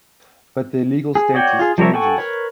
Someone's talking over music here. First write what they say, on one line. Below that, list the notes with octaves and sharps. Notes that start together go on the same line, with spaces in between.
But their legal status changes.
G#4
F#4 C#5 D5 G5
F4 G#4
F3 G3 A#4 C#5 E5
F#4 A4 G5 G#5 C#6
A#4 B4 C#5